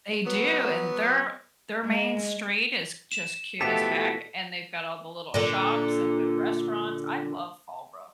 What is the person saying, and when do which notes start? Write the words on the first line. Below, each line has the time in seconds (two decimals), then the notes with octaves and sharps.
They do, and their their main street is just cute as heck, and they've got all the little shops and good restaurants. I love Fallbrook.
0.24 F#3 B3
1.85 G#3
3.12 E7
3.61 B2 E3 F3 A3 B3 G4 A4 B6
5.34 A#2 D3